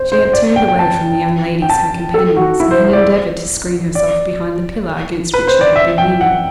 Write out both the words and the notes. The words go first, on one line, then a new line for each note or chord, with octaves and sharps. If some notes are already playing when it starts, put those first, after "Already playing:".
She had turned away from the young ladies her companions, and had endeavoured to screen herself behind the pillar against which I had been leaning.
Already playing: C5
C5
C5
D5
G5
G5
A5
G5
A5
A4
F#4
E4
C5
C5
D5
D5
B4
C5
D5
E5
G5
F#5